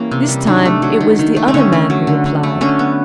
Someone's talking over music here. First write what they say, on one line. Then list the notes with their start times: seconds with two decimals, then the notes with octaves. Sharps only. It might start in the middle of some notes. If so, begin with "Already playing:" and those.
This time it was the other man who replied.
Already playing: E3 G3 A#3 C#4
0.11 C3
0.29 G3
0.47 D#3 D4
0.66 A3
0.82 F#3
1.01 D#3
1.19 D#3
1.37 A3
1.48 C4
1.54 D3 C#4
1.72 A3
1.90 F#3
2.07 D3
2.26 D3
2.43 A3
2.61 D3 C#4
2.79 B3